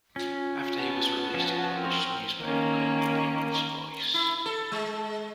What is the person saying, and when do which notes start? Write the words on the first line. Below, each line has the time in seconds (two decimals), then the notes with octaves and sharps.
After he was released he published a newspaper called "The People's Voice".
0.16 C#4 F4
0.76 B3 A5
1.34 F3 C#4 F#4
1.74 C4 A#4
2.41 D#3 A#3 C#4
4.14 E4
4.46 A4
4.72 G#3